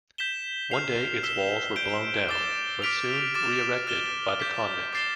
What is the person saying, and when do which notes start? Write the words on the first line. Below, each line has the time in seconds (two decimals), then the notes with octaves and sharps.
One day its walls were blown down, but soon re-erected by the convicts.
0.18 G6 B6 E7 G7
0.71 F6 C7 F7
1.23 E6 B6 E7 G7
1.76 G6 D7 G7
2.29 D6 A6 E7 G7
2.82 D6 F6 B6 D7 F7
3.34 D6 F6 A6 E7
3.87 F6 A6 E7 G7
4.40 D6 G6 B6
4.93 D6 A6 C7 E7 G7